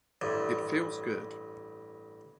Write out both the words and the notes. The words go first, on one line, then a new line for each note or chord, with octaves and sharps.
It feels good.
A1 G2